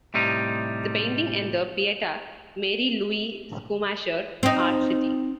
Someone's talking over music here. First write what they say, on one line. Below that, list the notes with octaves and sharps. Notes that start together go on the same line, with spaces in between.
The painting and the Pieta - Mary Louise Schumacher: Art City.
A2 C3 G3 D#4
C4 D#4